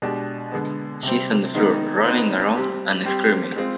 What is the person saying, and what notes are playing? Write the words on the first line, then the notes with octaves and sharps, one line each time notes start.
He's on the floor, rolling around and screaming.
B2 G#3 D4 G4
D3 G#3 B3
C3 G3 C4
D#3 G#3 B3 D#4
C4 D#4 B4
G3 C4 G4
G3 C4 G4 C5
G#3 C4 F4